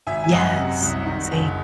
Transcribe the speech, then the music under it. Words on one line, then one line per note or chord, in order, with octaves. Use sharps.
Yes. Same.
G#1 E5 G#5
G#5
F#2 D#5 F#5
C3
C2
D#3
F#1